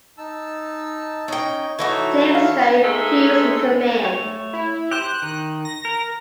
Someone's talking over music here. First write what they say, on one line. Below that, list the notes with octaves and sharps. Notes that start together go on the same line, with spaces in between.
James J. Hughes in command.
D#4 A5 E6
C#4 D#4 C#5 D#5 G5
E3 D#4 F#4 A4 C#5 E5
F5
G#2 G#3 A3
A3 C#5
E4
G4 C5 F#6
D#3
A#6
A#4